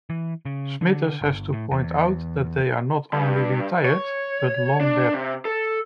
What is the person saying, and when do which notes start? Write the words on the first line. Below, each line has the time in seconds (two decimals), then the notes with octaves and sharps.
Smithers has to point out that they are not only retired, but long-dead.
0.10 E3
0.45 C#3
0.81 D3
1.21 G1
1.53 A2
1.71 E2
3.13 G2
3.86 C#5
4.80 D4
5.14 C3
5.45 A4